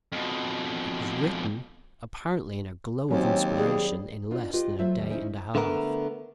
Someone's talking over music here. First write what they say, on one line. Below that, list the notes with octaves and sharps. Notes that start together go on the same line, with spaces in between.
It was written, apparently in a glow of inspiration, in less than a day and a half.
F2 B2
D#2 F#3 C4 C#4
G3 G#4
B3 D4 D#4 F4
F4 G4 B4 D#5
F#3 A3 F4 C5 E5
D#2 G3
C#4 D#4 E4 C5
D3 A3 B3 A#4